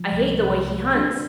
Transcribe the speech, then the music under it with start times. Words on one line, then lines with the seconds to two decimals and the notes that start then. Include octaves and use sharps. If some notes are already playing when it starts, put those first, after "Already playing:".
I hate the way he hunts!
Already playing: F3
0.12 C2
0.40 C2
0.66 C2
0.95 D4